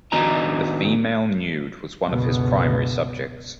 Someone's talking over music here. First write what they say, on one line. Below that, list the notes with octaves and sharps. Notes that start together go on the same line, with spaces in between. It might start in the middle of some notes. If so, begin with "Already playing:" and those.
The female nude was one of his primary subjects.
D#3 B3 D4 F#4 D#5 A#5
C#2 F#2 B2 D3 B3